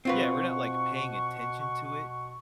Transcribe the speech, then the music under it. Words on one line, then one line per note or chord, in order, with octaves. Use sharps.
Yeah, we're not, like, paying attention to it
B2 C4 F4 B4 F#5 C#6